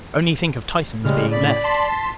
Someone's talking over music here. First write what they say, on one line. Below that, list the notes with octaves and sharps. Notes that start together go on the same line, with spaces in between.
Only think of Tyson's being left!
A2 C#3 G3 G#3 F6
D5 B5
A5 C6 B6